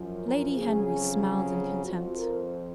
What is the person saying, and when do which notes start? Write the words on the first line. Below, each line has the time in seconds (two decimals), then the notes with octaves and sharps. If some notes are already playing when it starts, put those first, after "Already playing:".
Lady Henry smiled in contempt.
Already playing: F#2 F3
0.25 A#4
0.56 F2 C#3 F#3 G#4
1.19 G#4
1.83 F2 F3 F#4
2.15 A#4